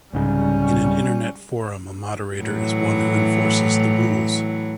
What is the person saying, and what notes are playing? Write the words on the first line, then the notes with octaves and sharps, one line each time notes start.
In an internet forum a moderator is one who enforces the rules.
C2 G#2 C#3 G3 C#4
A2 E3 F#3